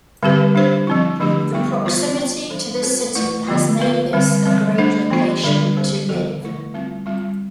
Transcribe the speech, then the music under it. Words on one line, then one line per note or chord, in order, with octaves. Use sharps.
The proximity to the City has made this a great location to live.
D3 G3 C4 G4 B4
G3 D4 G4 C5
F3 C4 E4
D3 F3 A3 D4 G4
G3 B3 E4 G4
E3 B3 F4 C5
B3 F4 C5
E3 G3 D4 A4 C5
C4 F4 A4 C5
A3 E4 B4 D5
D3 F3 B3 F4
B3 F4 B4
D3 G3 C4
E3 G3 C4
A3 D4 A4 C5
E3 B3 F4 C5
D3 G3 D4 A4 D5
G3 C4 G4 C5
F3 B3 F4 A4 D5
D3 A3 E4
G3 C4 F4
G3 C4 F4